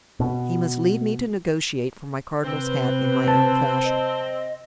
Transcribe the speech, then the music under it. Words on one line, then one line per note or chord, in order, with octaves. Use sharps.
"He must leave me to negotiate for my cardinal's hat in my own fashion."
B2
C3 C4 B4
A5
D#5